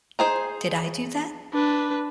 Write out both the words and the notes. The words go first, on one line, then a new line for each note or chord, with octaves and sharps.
Did I do that?
D#4 G#4 C5
D4 B4